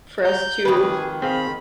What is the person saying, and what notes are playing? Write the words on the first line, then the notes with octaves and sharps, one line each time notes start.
for us to
A#5 G6
F2 D#3 G#4 B4
C4 G#4 F5 B5